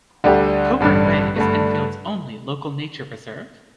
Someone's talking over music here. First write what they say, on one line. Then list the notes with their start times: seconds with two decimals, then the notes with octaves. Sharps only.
Covert Way is Enfield's only Local Nature Reserve.
0.24 D2 D3 G3 D4 G4
0.80 A1 G2 D3 G3
1.36 G2 D3 A3